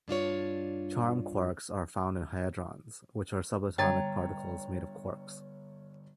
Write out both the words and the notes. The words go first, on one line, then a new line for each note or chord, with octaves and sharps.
Charm quarks are found in hadrons, which are subatomic particles made of quarks.
G2 D4 F4 C#5
G1 C#5 G5 A#5 G#6 A6